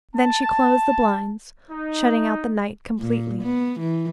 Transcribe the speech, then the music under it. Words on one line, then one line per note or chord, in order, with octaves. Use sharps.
Then she closed the blinds, shutting out the night completely.
A5
D#4
A#2
B3
E3